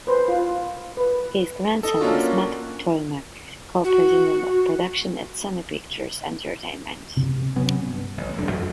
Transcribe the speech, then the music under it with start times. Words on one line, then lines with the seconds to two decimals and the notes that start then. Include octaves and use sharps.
His grandson is Matt Tolmach, co-president of production at Sony Pictures Entertainment.
0.07 B4 C5
0.28 F4
0.97 B4
1.83 A4 D#5
2.00 A#3 C#4 D4 F4 F#4
3.84 F#4
7.16 C3
7.56 C3 F#3 B3 C#4
7.81 G2
8.18 A1
8.37 D#1 F#2 G3 D4
8.51 F2